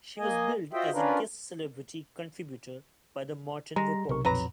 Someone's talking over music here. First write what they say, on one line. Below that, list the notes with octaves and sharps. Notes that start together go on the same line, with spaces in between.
She was billed as a "Guest celebrity contributor" by "The Morton Report".
A#3 D#5 G#5
F4 F#4 C5 D#5 E5 G5
C#4 D4 F4 A#4 B4
G3 G#3 A#5 A#6
B1 C3 A#4 C#6
F2 A#2 F#3 B4 A#5